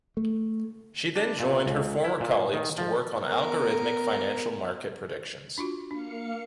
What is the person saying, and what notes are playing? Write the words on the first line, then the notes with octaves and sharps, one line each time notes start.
She then joined her former colleagues to work on algorithmic financial market predictions.
A3
D4
A#2
C#2
E4
A#2
D#3
F3
B3 A#4
D4 F4 F#4
A#3 D4 F5 C#7